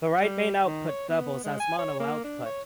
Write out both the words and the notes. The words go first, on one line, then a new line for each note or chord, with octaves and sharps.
The right main output doubles as mono output.
G3
D#3
C#5
B3
G#3
G#5
C#5
A#3
D4
C#5